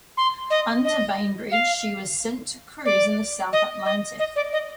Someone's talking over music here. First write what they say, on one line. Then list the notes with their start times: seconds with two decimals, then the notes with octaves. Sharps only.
Under Bainbridge, she was sent to cruise in the South Atlantic.
0.17 C6
0.50 D#5
0.85 D#5
1.52 F5
2.85 D5
3.53 D#5
3.85 D#5
4.19 D#5
4.36 D5
4.53 D#5